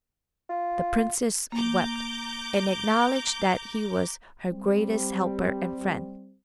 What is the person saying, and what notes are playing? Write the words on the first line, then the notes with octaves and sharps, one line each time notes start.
The princess wept, and acknowledged that he was her greatest helper and friend.
F4
A#3 A#5 D6 G6
G3 C4